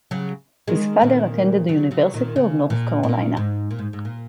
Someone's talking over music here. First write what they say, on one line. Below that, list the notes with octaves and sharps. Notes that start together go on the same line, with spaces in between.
His father attended the University of North Carolina.
C#3 F#3
D#3 G#3
A#2 D#3
C#3 F#3
C#3 F#3
A#2 D#3
C#3
A#2
A#2
G#2
A#2
G#2
G#2
A#2